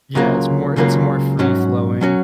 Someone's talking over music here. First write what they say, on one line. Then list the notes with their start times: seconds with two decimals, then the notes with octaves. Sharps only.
Yeah, it's more it's more free-flowing,
0.15 C#2 C#3 F#3 A#3 F4
0.76 C#2 C#3 F#3 A#3 F4
1.39 G#2 F#3 C#4 F#4
2.01 F#3 C#4 F#4